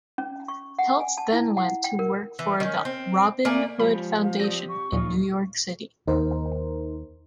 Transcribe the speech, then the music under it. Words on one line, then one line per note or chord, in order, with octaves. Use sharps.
Peltz then went to work for the Robin Hood Foundation in New York City.
C#4
C#6
F#5
G#5
A5
E4
F#5
G5
A#4
E3
D#3 C#4
C4
A3 A#3 D5 G#5
F3 G#3 G4 C#5 B5
F5
C4 G4 D5 D#6 A#6
C#6
D#2 A#2 D#4 F4
D#2 D#4 A#4 C5